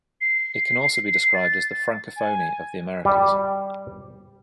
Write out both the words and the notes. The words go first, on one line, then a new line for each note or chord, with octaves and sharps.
It can also be described as the Francophonie of the Americas.
C7
C7
C7
A6
G#5
G3